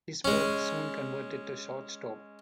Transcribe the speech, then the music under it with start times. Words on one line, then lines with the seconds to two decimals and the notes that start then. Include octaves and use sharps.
Risberg soon converted to shortstop.
0.25 G#3 C#4